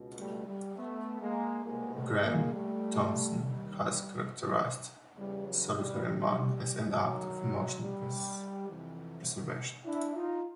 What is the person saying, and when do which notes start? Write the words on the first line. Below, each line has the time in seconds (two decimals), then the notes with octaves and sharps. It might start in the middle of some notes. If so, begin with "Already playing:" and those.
Graeme Thomson has characterized "Solitary Man" as an act of emotional preservation.
Already playing: C#2 B2
0.18 G3 A3
0.47 G3
0.76 A3 B3
1.20 G#3 A#3
1.64 C2 B2 G#3 A#3
1.94 G3 A3
2.23 G#3 A#3
2.52 G3 A3
3.41 D#2 D#3 G3
5.17 E2 C#3 E3 G3
5.46 F#3
5.75 G3
6.05 G3
6.92 F#2 D#3 F#3
7.80 G3
8.68 F2 C3 E3
9.85 D4 E4
10.15 D#4 F4